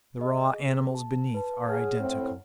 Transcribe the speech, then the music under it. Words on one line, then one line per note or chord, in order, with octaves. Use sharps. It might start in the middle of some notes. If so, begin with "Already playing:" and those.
The raw animals beneath are identical.
G#4 D#5
G#4
A5
B4 A5
G#4 C#5 F#5 F6
A2 C4